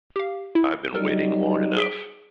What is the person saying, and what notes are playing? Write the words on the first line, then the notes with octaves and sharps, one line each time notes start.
I've been waiting long enough.
G4 F5
E4
F#3 G3 D#4 A4 A#4
G#4 B6 D7